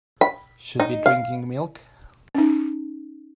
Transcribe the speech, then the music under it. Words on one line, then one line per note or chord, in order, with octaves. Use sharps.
Should be drinking milk.
B5
D#4
F5
C#4 D#4